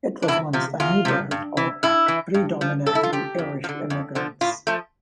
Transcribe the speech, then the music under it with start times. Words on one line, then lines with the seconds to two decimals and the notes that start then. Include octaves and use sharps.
It was once a neighborhood of predominately Irish immigrants.
0.22 D4
0.28 E2 E4
0.53 C3 F3
0.80 E2 F4
1.05 C3 F3
1.31 G2
1.57 E3
1.83 G2 E4
2.08 E3
2.34 G2
2.61 F3
2.86 G2 A4
2.95 E4
3.03 F4
3.13 F3 G4
3.39 F2
3.64 F3
3.69 D3
3.90 F2
4.15 D3 F3
4.41 A2 F4
4.67 F3 A3